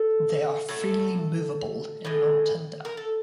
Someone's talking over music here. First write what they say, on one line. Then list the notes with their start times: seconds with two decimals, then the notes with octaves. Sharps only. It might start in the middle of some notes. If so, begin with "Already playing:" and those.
They are freely movable and nontender.
Already playing: A4
0.69 A2 F#3 A3 A4
2.05 A2 E3 G#3
2.85 A#4
2.97 A4